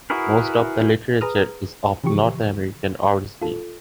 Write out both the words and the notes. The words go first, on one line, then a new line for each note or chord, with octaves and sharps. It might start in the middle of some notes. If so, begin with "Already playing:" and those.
Most of the literature is of North American origin.
E4 F#4 G#4 A#4 B4
G#4 B4 A#5 D#6 F6
C#3 E3 F3 G4 C#6
F4 A4